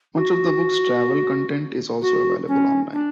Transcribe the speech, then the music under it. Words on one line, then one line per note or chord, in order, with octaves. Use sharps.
Much of the books' travel content is also available online.
F#4
F#4
C#4
D4